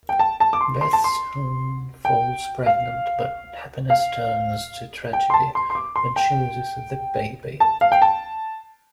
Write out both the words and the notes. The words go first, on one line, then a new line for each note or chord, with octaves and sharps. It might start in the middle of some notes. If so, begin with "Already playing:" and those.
Beth soon falls pregnant but happiness turns to tragedy when she loses the baby.
G5
A5
A5
D6
C6
C6
A5
C6
G5
F5
F5
G5
C6
A5
C6
C6
D6
C6
G5
A5
F5
G5
A5